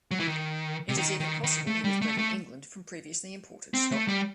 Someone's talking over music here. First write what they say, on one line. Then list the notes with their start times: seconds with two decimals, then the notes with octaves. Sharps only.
It is even possible he was bred in England from previously imported stock.
0.11 F#3
0.20 E3
0.27 D#3
0.89 C3
0.97 D#3
1.20 D#3
1.43 D#3
1.67 A3
1.84 G3
2.02 A3
2.18 A3
3.74 C4
3.92 A3
4.08 G3